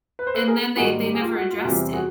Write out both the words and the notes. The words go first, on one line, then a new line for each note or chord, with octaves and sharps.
and then they they never addressed it,
B4
C5
A4 B4
G#4 A#4
G#2 D#3 G3 A#3 F#4 G#4
G4
G#4
F4 G4
F#4
F4
F#4
E2 C3 E3 G3 C4 F4 G4
F#4 G#4